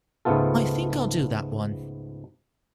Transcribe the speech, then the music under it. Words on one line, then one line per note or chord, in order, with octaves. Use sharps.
I think I'll do that one.
C#2 G#2 A3 B3 F4 A4